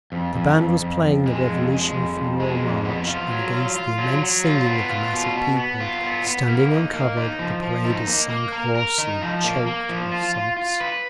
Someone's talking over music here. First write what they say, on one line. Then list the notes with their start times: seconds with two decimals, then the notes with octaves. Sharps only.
The band was playing the Revolutionary Funeral March, and against the immense singing of the mass of people, standing uncovered, the paraders sang hoarsely, choked with sobs....
0.12 F2
0.35 F2
0.58 F2
0.80 F2
1.03 F2
1.26 G#3
1.49 F2
1.72 G#3
1.94 F2
2.17 F2
2.40 G#3
2.62 F2
2.85 B3
3.07 F4
3.31 F#3
3.53 F4
3.76 F4
3.98 F#3
4.22 F#3
4.44 F4
4.67 B3
4.90 F4
5.13 B2
5.35 B3
5.57 B3
5.80 F4
6.03 B3
6.26 B3
6.48 A#3
6.71 D#4
6.94 A#3
7.17 D#4
7.39 F3
7.63 F3
7.85 D#4
8.07 A#3
8.30 A#3
8.52 A#4
8.75 A#4
8.98 D#4
9.22 F3
9.44 A#3
9.66 A#3
9.89 F3
10.12 F4
10.34 F4
10.57 F4
10.80 B4